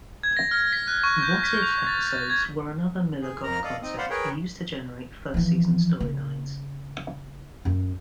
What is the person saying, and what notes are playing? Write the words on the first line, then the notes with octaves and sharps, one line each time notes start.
"What if" episodes were another Millar-Gough concept used to generate first season storylines.
G#6
A#6
F6
B6
F#6
C#6
G6
B6
F7
A6
A6
G#6
G#4
F2 A#4 A#5 F6
A4 D5 D#5 F5
C4 D#4 D#5
C5 D5 F5 F#5 B5 C6
G#4 A#4 B4 C#5 G5
E3 F3
C#3
F#2